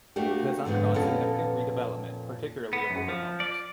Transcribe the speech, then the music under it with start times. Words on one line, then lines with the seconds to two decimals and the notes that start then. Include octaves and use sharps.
It has undergone significant redevelopment, particularly of older homes.
0.16 A3 A#3 D4 F#4 G4
0.65 F2 G#2 D3 B3
0.94 F2 A#2 B3 C#4 F4 A4
2.73 B3
2.90 F#2
3.09 F3
3.40 D5